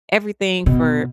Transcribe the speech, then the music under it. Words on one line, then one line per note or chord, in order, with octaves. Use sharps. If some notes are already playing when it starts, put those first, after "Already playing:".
everything for
B2